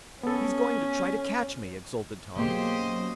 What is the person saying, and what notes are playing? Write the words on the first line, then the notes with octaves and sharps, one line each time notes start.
"He's going to try to catch me!" exulted Tom.
B3 C#4 A4
B2 F#3 A#3 G4 G#4 C5 D#5
F#2